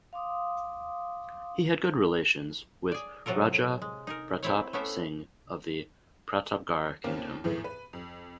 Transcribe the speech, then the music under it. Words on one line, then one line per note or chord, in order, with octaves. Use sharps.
He had good relations with Raja Pratap Singh of the Pratapgarh Kingdom.
F5 C6 D6 D#6
G#4 D5
A2 C3 F#3 F4 A4 A#4
G#3
D#4 G#4 A#4
C4 E4 C#5
A3 B3 C#4 G4 C5 E5
D#2 A#3 C4 C#4
E2 A2 E3 B3 G#4
B4
F2